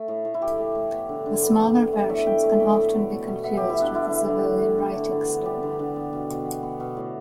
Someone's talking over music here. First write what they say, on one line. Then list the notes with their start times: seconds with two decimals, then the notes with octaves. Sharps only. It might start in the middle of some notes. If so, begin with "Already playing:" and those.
The smaller versions can often be confused with the civilian writing slope.
Already playing: A3
0.08 A2
0.25 A2
0.34 E4
0.42 A3 G4
0.58 A3
0.75 A2
0.92 B3
1.09 D3
1.26 D3
1.43 B3
1.59 B3
1.76 D3
1.93 A3
2.10 A2 E5
2.26 A2 G5
2.43 A3
2.60 A3
2.77 A2
2.93 B3
3.10 B2
3.27 B2
3.44 B3 E5
3.57 B3 G4
3.70 E4
3.78 B2 D4
3.94 A3 E4
4.11 D3
4.28 D3
4.45 A3
4.61 A3
4.78 D3
4.96 D3
5.12 D3
5.29 B3
5.46 G3 G4
5.63 D3
5.79 D3
5.96 B3
6.13 B2
6.30 B2
6.47 B3
6.63 B3
6.80 B2
6.97 A2